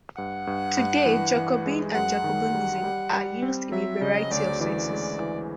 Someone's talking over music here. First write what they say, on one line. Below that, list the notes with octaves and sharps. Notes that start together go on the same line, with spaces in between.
Today, Jacobin and Jacobinism are used in a variety of senses.
G2 F#5
G2
G2
E3
E3
G#3
F#2 F#5
D#3
G3
G3
G3
C4
F#3 E5
C#3 D#5
D2 D5
E3 D5
G#3
E3